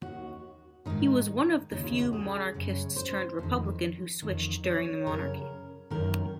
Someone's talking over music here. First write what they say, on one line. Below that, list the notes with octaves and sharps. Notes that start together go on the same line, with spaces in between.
He was one of the few monarchists-turned-republican who switched during the monarchy.
D#2 D#3 F#4
G#2 D#3 D#4
D#2 C#3 D#4
F4
F#4
G#4
F#2 C#3
C5
F2 D#3
F2 D#3
C#5
F#2 C#3 A#4
F#2 D#3 A#4